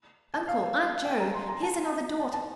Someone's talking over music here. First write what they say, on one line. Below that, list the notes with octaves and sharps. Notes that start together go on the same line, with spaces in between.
'Uncle, Aunt Jo, here's another daughter!
A5
F5
G5
A#5
C6
A#5
A5
A5
A5